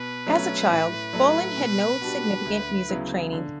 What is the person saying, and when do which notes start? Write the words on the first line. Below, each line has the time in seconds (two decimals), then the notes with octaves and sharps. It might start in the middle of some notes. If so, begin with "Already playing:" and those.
As a child, Follin had no significant music training.
Already playing: B2 B4
0.27 F#3 A3 C#4
0.70 A2
1.13 F#3 A3
1.58 B2
2.02 G3 D4 F#4
2.45 D2
2.88 C#3 F#3 B3 E4
3.33 D3